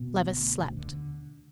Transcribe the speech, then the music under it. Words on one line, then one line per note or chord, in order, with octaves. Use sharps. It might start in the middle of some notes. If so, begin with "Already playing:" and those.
Levice slept.
Already playing: B2 B3
D2
D2
D2
D3